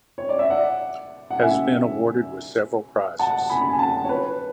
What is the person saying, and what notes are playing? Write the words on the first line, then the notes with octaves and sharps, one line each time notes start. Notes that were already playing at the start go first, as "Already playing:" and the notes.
Has been awarded with several prizes.
C#5
D5
E5
D5 F#5
F#5
E5 G#5
F#5 A5
G#5 B5
G#5
F#5 A5
C#5
B4